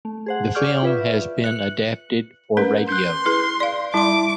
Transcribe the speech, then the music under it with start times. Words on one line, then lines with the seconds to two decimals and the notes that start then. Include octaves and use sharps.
The film has been adapted for radio.
0.05 A3
0.26 G#4 C5 F#5
0.55 G#4 D5 C#6 D6 F6 G6
0.82 F4 B4 E5
1.44 F#6 C#7 F#7
2.57 A3 C#4 A#4 B4
2.89 C6 F#6 G6
3.26 E4 G#4 B4
3.60 D5 F5
3.94 G3 E4 A5 C6 D6